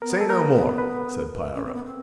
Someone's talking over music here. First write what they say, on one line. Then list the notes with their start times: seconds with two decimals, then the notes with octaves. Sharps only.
"Say no more!" said Piero.
0.02 B3 A#4
0.21 A4
0.27 A#3 A#4
0.40 B4
0.53 B3
0.78 B4
1.55 C#4
1.66 C4
1.74 B3
1.85 C4